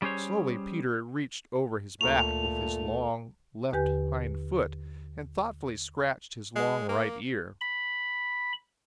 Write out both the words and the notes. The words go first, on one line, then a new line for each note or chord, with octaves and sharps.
Slowly Peter reached over his back with his long left hind foot and thoughtfully scratched his long right ear.
G3 C#4 G#4 C5 C#5
D2 A#2 A3 A#5 C#6 F7
D#2 D3 G4 B4 G#5 G6
G#3
A#3
B5